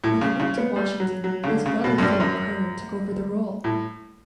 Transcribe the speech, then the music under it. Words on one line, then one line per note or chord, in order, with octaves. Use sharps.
When he moved to Washington his brother Phillip Carter took over the role.
A2
C#3
C#3
B3
G3
F#3
F#3
C#3
D3
C#3
B2
F#2
G2
F#2
A2